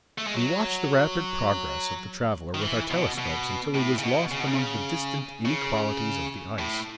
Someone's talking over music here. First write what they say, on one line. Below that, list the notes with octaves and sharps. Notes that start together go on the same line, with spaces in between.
We watched the rapid progress of the traveller with our telescopes until he was lost among the distant inequalities of the ice.
A3
G#3
F#3
D#3
E3
B2
B2
A2
C#3
B2
C#3
B2
C#3
C#3
A2